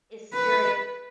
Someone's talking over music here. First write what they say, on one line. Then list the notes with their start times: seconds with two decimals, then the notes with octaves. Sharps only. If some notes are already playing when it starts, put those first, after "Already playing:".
is serious
0.33 B4